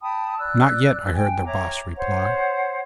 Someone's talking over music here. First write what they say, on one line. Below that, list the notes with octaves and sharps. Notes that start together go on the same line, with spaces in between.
"Not yet," I heard the Boss reply.
G5 A5 B5 D#6
D5 E6 F#6
G5 G#5
C#5 E5 A#5 D6
C5 C#5 F#5